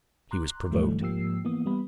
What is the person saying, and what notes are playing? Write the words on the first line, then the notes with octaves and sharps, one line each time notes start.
He was provoked.
A#5 C6 D6 F#6
G#2 D#3 F3 G3 A3
G#2 F3 A#3 G4 E6 C7
E3 A#3 B3 D#6
G3 B3 B5